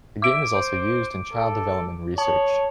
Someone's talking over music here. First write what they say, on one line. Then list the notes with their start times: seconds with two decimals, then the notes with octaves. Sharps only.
The game is also used in child development research.
0.22 E5 D6 D7
0.55 C5
1.33 A4
2.18 C#5 A5